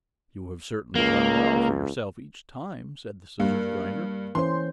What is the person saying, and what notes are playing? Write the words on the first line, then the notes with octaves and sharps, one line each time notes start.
"You have certainly done well for yourself each time," said the scissors-grinder.
C#2 A#3
G2 A#3
E3 C#4 C5 C6